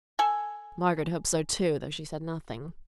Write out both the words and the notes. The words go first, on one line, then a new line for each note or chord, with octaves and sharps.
Margaret hoped so too, though she said nothing.
A4 G#5